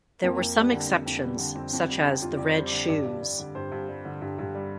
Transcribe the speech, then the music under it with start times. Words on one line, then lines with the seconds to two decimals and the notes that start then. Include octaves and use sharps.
There were some exceptions, such as "The Red Shoes".
0.23 F2 A#3
0.39 F2
0.56 G3
0.72 D3
0.89 F2
1.06 F2
1.22 G3
1.39 D3
1.55 F2 C4
1.73 F2
1.89 G3
2.06 D3
2.22 F2 F4
2.37 F2 D5
2.45 C5
2.55 G3
2.67 D5
2.72 D3
2.88 G2 D5
3.05 G2
3.21 G3
3.39 D3
3.55 G2 C5
3.72 G2
3.89 G3
4.05 D3
4.22 G2
4.38 G2
4.55 G3